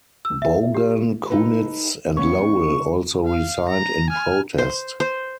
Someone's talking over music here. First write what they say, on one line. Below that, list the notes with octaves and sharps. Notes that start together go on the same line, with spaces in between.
Bogan, Kunitz, and Lowell also resigned in protest.
E6
E5
G4
D#4 A4 B4
D#2 B3 C#4 C#6
F5
A#5
G#5 F6
C5
C5